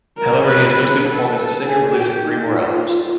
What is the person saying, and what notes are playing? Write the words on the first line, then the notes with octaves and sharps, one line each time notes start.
However, he has mostly performed as a singer, releasing three more albums.
A#4
B4
B4
A4
G#4
G4
D#4
F4